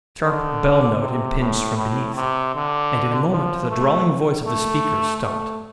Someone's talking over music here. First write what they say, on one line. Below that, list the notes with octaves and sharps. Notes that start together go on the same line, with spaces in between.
A sharp bell-note impinged from beneath, and in a moment the drawling voice of the speaker stopped.
D3
C3
A2
A2
C3
D3
F3
A3
A3
A3